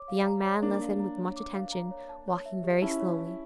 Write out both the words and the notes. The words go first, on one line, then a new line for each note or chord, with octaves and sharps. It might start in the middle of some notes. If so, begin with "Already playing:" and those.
The young man listened with much attention, walking very slowly.
Already playing: C#5 D6
F5
A#5
C#5
A#3 D4 D6
F5
A#5
C#5
D6
F5
A#5
C#5
A5
C#5
E5
G4
C#4 E4 A5
C#5
E5